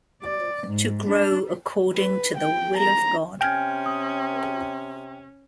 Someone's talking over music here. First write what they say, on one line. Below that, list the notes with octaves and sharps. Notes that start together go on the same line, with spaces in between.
To grow according to the will of God!
D5
G#2
D4
B4
G5
A#5
C3 C#4 G5 G#5 F6 G#6
D#6